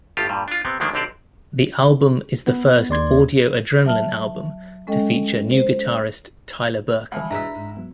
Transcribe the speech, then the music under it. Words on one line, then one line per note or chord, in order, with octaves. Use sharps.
The album is the first Audio Adrenaline album to feature new guitarist, Tyler Burkum.
G1 A2 F4 G4
G2 A#2 G3
D4 F4
C3 B3 C4
D2 D#3 F3 G#3 A#3 D4
B1 D3 C4 G4 C5 D5
B3
D#2 D5 C6 G#6
F#3 E5 A5 F6
G#3 C#4 A4 D#5 G5
C5
C#2 E5 A5 B5
B2 E3 G#3 D4 E4 A#5 B5 E6
G#2
F#3 B3